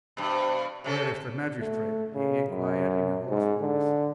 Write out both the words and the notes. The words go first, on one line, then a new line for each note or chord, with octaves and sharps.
"Where is the magistrate?" he inquired, in a hoarse voice.
G2 B2
C3 C#4 A4
A3
C#3
F#2
G#2
D3